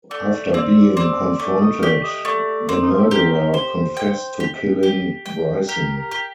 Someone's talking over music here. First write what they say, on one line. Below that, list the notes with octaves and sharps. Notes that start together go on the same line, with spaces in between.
After being confronted, the murderer confessed to killing Bryson.
A3 D5
C4 D5
C4 D5
A3 D5
D#5
G4 D5
D#5
A3 D5
C4 D5
D#4
F4
G4
A4
G4 A#4
C5
G5
G4
G4
G5
G4 A#4
A#4
G4